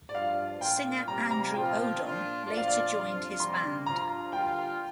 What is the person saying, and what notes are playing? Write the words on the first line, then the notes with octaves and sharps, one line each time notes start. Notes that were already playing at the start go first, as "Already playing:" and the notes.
Singer Andrew Odom later joined his band.
D5
G2 F3 D4 F4 F5
A#2 A#3 F4 G5
C3 G3 A#3 A#5
A#5
A#2 F3 C4 F4 G5
A#2 A#3 D4 F4
A#2 F3 D4 F4 D5
F5
D5
F2 C3 F3 D4 F4
C3 G3 A#3 C6
G2 F3 D4 F4 A#5
D3 G3 A#3 F4 G5